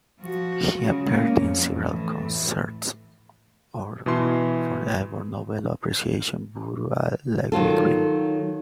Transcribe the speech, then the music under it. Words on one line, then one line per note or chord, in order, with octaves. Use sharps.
He appeared in several concerts for The Ivor Novello Appreciation Bureau at Littlewick Green.
F3 F#4
C#3 G#3
A#3 C#4
F2
A2 E3
B2 E3 C6
D#3 F#3 F4 A4